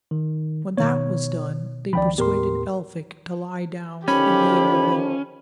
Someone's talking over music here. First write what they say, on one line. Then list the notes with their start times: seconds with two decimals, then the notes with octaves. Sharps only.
When that was done they persuaded Elphick to lie down in the inner room.
0.11 D#3
0.77 B2 D#3 B3 C#5
1.93 C#2 D#3 F3 D5 G5 B5
2.18 D#2 A2 B3 G4 A#4 C6
4.08 D3 D#3 F3 C#4 G4 B5